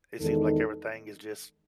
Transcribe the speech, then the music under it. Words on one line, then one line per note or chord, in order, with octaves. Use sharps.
it seems like everything is just
E2 D#3 G#3 D#4 A4